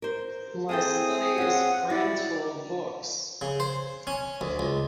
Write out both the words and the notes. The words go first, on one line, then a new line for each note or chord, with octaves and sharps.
My study is crammed full of books.
A#4 C5
C4 E4 G#4 A4 G5 D#6
C#4 F4 F#5
E4 F#4 D5
C#3
C5
C#4
D2
C#2